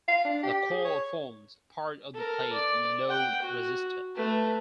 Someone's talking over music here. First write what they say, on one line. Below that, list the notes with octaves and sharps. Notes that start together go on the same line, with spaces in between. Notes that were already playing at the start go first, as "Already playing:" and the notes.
The coil formed part of the plate load resistor.
F5
D4
G4
G#4
C#5
A4 A#4
D5
F#5 G5
F#4
A3 B4